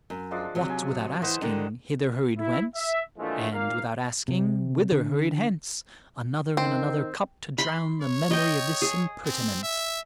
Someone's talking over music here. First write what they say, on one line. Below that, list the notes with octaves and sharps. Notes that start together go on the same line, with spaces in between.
What, without asking, hither hurried whence? And, without asking, whither hurried hence! Another and another Cup to drown The Memory of this Impertinence!
F#2
F3 G#3 D4
C3 F#3
G#5
E3 C5 D#5 F#5 C6
D3 D#3 G3
E4
E5
A#2 D3 E3 F3 G#3 A3
G#1 A#2 A#3 F5
C3
D3
D#3 C4
B5 C6
C#5
D#5 G5
G#4
C4
E5